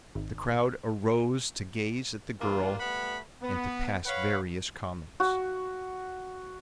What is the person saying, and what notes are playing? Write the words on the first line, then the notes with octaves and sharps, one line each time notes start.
The crowd arose to gaze at the girl and to pass various comments.
G#1
E3 G3 A#3 D4 F4
G3 A3 B3 F#5 B5
B3
B4 C#5 F5 F#5 B5
F#4